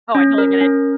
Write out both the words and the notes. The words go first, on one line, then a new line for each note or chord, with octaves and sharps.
Oh, I totally get it.
C#4
A#4
C#4